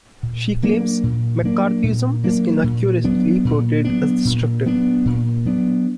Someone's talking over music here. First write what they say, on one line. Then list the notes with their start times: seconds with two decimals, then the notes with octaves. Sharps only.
She claims McCarthyism is inaccurately portrayed as destructive.
0.23 A#2
0.63 F#3 A#3 D4
1.03 A#2
1.43 F#3 A#3 D4
1.83 A#2
2.24 F#3 A#3 D4
2.64 A#2
3.04 F#3 B3 D4
3.45 A#2
3.84 F#3 B3 D4
4.25 A#2
4.66 F#3 B3 D4
5.05 A#2
5.45 F#3 B3 D4